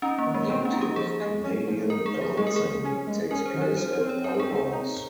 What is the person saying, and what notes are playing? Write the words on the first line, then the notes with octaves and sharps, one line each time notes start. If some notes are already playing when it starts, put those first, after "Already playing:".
Native Canadian dancing takes place at pow wows.
C#4 D#4
A#3
D#3
G#3
A#3 C4
C#4
D#4
G4
F3 G#4
G#3
C#4
F3
D#4 A#4
G#4
F3
G4
G#3 G#4
A#4
F3 G#4
C#4
G#3
C#4 A#4
C5
D#3
D#4
F3 C5
C5
C4
C#5
C4 A#4
A#4
G#4
C4
G#4
D#4